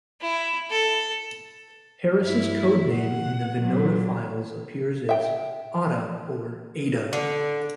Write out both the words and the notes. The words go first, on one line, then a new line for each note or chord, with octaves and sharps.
Harris's code name in the Venona files appears as "Ada" or "Aida".
E4
A4
G2 E4
F#5
A#2 F#3
E5 G5
D3